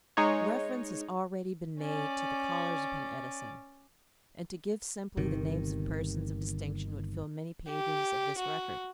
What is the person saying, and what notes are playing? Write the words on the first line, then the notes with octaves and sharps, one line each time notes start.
Reference has already been made to the callers upon Edison; and to give simply the names of persons of distinction would fill many pages of this record.
G#3 D#4 C#5
C#4 D5
G1 C3 D#3
G4
F#4